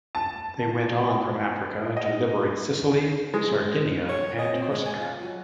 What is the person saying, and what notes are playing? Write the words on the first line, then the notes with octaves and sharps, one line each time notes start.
They went on from Africa to liberate Sicily, Sardinia, and Corsica.
A5
D#5
G#3
C#5
D#5
C4
G#3
G#5
F4
F#3